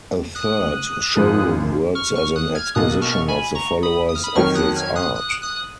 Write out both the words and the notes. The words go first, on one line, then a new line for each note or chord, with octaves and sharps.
A third show room works as an exposition of the followers of this art.
D#6 F#6
G#1 F#2 F3 G#3
C#6 F6
C#6 F6
D#6 F#6
F6 G#6
B1 B2 A#3 D#6 F#6
C#6 F6
G#5 B5
A#5 C#6
B5 D#6
D#6
F6
B5 D#6
F2 D#3 F#3 C#6 F6
D#6 F#6
F6 G#6
D#6 F#6
D#6 F#6
D#6 F#6